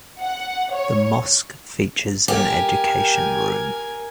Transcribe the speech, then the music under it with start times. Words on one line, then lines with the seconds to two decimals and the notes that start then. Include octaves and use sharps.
The mosque features an education room.
0.21 F#5
0.72 C#5
2.28 G4 A#4 G#5